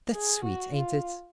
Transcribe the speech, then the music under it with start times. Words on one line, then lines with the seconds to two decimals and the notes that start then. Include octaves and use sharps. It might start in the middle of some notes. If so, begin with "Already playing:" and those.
"That's sweet, ain't it?"
0.14 G#4
0.44 F#4
0.75 F4